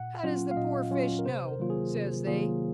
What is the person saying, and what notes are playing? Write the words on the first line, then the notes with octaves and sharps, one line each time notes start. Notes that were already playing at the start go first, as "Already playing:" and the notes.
How does the poor fish know?' says they.
Already playing: A#2 F#5
F#3 C#4 F4
F5
A#2 D#5
F#3 C#4 F4 C#5
A#4
C3 C5
A#4
D#3 F#3 A#3 F4
G#4
C3
D#3 F#3 A#3 F4 G#4